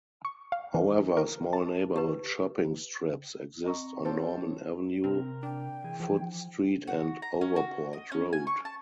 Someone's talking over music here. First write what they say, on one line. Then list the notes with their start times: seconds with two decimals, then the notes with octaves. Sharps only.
However, small neighbourhood shopping strips exist on Norman Avenue, Foot Street and Overport Road.
0.25 C#6
0.52 F5
0.74 E3
1.17 A#4
1.53 A5
1.96 G4 B4
3.64 C4 D#5 A#5 C#6
4.05 F4 G4 A4 C5 C#5
5.04 C3 C4 A#4
5.43 D4 G5
5.84 E3 G#4
6.00 F3
6.87 F#4
7.22 A#5
7.41 C#4
7.56 F#4
7.93 D#5
8.12 C#4
8.33 G#5
8.47 C#6
8.65 A5